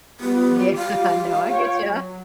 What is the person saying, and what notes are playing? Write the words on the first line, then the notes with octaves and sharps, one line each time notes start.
Yeah, no, I get ya,
G3 B3 F4 G4
F5
F4 C#5 G5
F#3